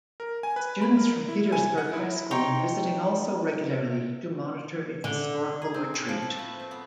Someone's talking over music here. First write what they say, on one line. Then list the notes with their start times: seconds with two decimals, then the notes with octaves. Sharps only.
Students from Petersburg High School visiting also regularly to monitor its historical retreat.
0.20 A#4
0.43 G#5
0.56 B4
0.82 B5
0.97 A#4
1.28 E4
1.52 G#5
1.78 F#5
1.93 E4
2.31 D#4 C#5 G5 C6
5.04 D3
5.62 G#4
5.74 C4
5.94 A2
6.09 F3
6.23 A3
6.39 B4
6.60 C4
6.71 B3